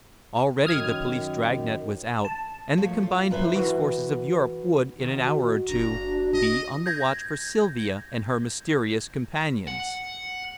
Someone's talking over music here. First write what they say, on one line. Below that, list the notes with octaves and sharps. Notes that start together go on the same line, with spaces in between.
Already the police drag-net was out, and the combined police forces of Europe would, in an hour or two, be on the watch for Sylvia and her mysterious companions.
F#2 D#3 D#6 F6 G#6
A5
F3 A3 C#5
F4
F#2 G3 B4 C5 E5
E3 F#4 B4
D#3 F#4
F#1 D4 A#5
D#5
G6 G#6 A#6
F#5